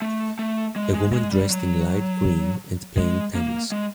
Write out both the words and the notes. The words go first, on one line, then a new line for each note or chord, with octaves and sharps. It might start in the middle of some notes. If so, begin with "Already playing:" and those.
A woman dressed in light green and playing tennis.
A3
A3
G#3
G#3
G#3
G3
F#3
G#3
A#3
G#3